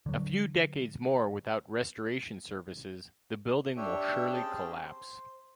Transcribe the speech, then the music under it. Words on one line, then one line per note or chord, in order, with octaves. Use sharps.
A few decades more without restoration services, the building will surely collapse.
D3 F#3
D4 G4 C#5 E5
C4 C#4 G4 G#4 G5 A5
C5